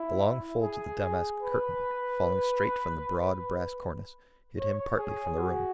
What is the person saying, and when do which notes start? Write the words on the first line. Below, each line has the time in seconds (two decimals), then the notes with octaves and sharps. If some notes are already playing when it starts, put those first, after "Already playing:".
The long folds of the damask curtain, falling straight from the broad brass cornice, hid him partly from the room.
Already playing: E4
0.62 G#4
1.42 B4
4.58 C#5
4.98 G#4
5.37 F#4